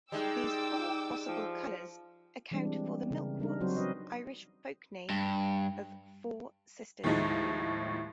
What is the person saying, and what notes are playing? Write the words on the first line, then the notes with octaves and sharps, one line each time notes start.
These four possible colours account for the milkworts' Irish folk-name of 'four sisters'.
G3 G#3 D#4 G5 D6 E6
F3
E3 G3 G#3 C4 D4
C#3 A#4
G3 D4 D#4 A#4
F#3 C4 F#4 C5
C#4 B4 D#5
G2
D#2 A2 D#3 F3 G#3 D#4